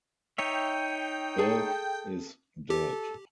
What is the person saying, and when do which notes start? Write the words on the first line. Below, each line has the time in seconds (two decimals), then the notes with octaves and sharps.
Earth is dead.
0.38 D#4 C#5 E5 G5
1.38 G#4 A4
2.70 G4 A4